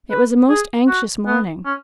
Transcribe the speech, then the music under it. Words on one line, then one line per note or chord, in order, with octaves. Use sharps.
It was a most anxious morning.
B4
G#4
F#4
B3
C#4